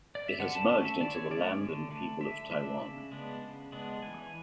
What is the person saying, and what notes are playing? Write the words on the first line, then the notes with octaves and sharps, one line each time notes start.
It has merged into the land and people of Taiwan.
D5
E5
D3 F#5
A5
A3 C#4 A5
E5
D3 D5
C#5
A3 C#4 D5
D3
A3 D4
D3 E5
A3 D4 E5
C#3
G#3 B3 D4
C#3
G#3 B3 D4
E3 G#5